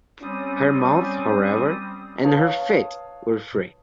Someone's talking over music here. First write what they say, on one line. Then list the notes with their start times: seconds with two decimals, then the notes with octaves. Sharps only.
Her mouth, however, and her feet were free.
0.22 G3 C4 C#4 D#6
2.24 B4 C#5 F5 A5 D#6